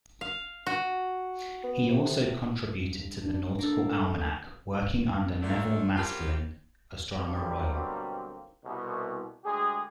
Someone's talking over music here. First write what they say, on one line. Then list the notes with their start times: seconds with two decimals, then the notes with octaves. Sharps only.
He also contributed to the "Nautical Almanac", working under Nevil Maskelyne, Astronomer Royal.
0.21 F5
0.66 F#4
1.64 B3
1.89 C3
2.76 G2
3.21 D4
3.59 A#3 D4 A4
4.03 F2
5.42 A#2 D3 A3
5.96 F#3 G3 A#3 C4 F4 G4
7.14 B2 D3 F#3 G3 A#3 C4
8.64 C2 B2
9.44 D2 G#3 G4 G#4